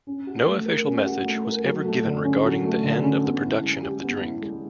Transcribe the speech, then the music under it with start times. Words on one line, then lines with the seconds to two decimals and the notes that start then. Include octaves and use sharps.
No official message was ever given regarding the end of production of the drink.
0.07 C#4
0.27 F#4
0.47 A3
0.66 A#4
0.86 C#4
1.06 F#4
1.25 A3
1.45 A#4
1.65 F#3
1.85 A3
2.05 D3
2.25 C#4
2.44 F#3
2.64 A3
2.84 D3
3.03 C#4
3.23 B3
3.43 E4
3.63 G#3
3.82 G4
4.03 B3
4.22 E4
4.42 G#3